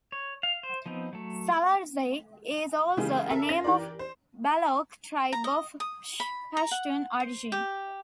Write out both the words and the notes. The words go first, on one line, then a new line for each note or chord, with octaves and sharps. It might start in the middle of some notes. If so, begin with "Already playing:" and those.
Salarzai is also a name of Baloch tribe of Pashtun origin.
C#5
F5
C5
F3 B3 C4 D#4
F#3 A3
C#3 E3 G#3 A#3 G4 G#4
A4 A#4 E5
C#4 A#6
E3 G4 A#4 D5
C5
A#5
D#5
D#6
B5
A#5
F#5
C5
G4